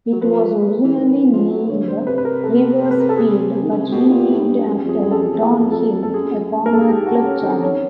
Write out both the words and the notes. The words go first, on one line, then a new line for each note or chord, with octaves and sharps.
It was originally named Riversfield but renamed after Don Hill, a former club chairman.
F#3
F3 B4
E3
D#3 C5
D#3
F3
F#3
D3 C#5
C5
C3 B4
B4
A#4
A4
C5
B4
A#4
A4
G#4
D#3
D3
C#3
C3
B2 G4
A#2 F#4
G4
A2
G#2
G2
F#2 G#4
G4
F2 G#4
F#2 G#4
A4
F2 G#4
F2
E2 A#4
A4
F2 G#4
A4
F2
A4
F2
F#2 G#4
F2
F#2
G2 A#4
A4
G#4
G#2 G4
F#4
C#3
C#4
D3 C#4
D#3 C4
D3
D#3 C#4